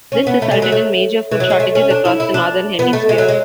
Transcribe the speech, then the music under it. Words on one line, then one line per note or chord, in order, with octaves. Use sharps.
This resulted in major food shortages across the Northern Hemisphere.
C#4
B3
A3
G#3
F#3
A3
E3
F#3
G#3
A3
C#4
D4
E4
E4
D4
B3
A3
G#3
F#3
G#3